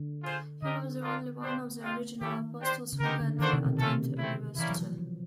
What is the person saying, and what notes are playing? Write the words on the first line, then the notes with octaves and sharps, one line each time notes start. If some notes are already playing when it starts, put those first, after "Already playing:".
He was the only one of the original apostles who had attended university.
Already playing: D3
F4 G#4 C5
D3 D4 G4 A#4 D#5
A#3 D4 F4 A#4
D4 G4 C5 F5
G#3 C4 F4
D#3 A3 C#4 E4 G4
D4 G4 C5
C#3
D3 G#3 B3 D#4 G4 A#4
D3
D#3 A#3 D4 F#4 A4 C5
C3
B2
C3 A3 C#4 F4 A4
A3 C4 E4
E3 G3 A#3 C#4 E4
F#3
F3
F3